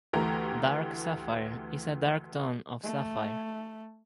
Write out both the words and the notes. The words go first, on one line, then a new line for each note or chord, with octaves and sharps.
Dark sapphire is a dark tone of sapphire.
D2 E3 A3 G4 A#5
A3